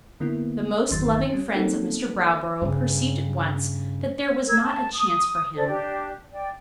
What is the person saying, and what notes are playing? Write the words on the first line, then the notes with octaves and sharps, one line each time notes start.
The most loving friends of Mr. Browborough perceived at once that there was not a chance for him.
D3 A#3 B3 E4
G1 E2 D#3 F#3 C6 A6
G3 C#4
A#3 C4 C#4 D#4 A4
G2 C#3
A#4 E6 G#6
A5
D#6
A4 C5 D5
D4 G4
D5 G5